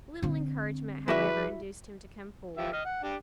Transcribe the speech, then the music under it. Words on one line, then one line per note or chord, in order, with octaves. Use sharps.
A little encouragement, however, induced him to come forward.
D3 C4
F3 E4 F#4 G#4 B4 E5 D6
F3 G4 E5
D#5 F6
F#5
D4 G4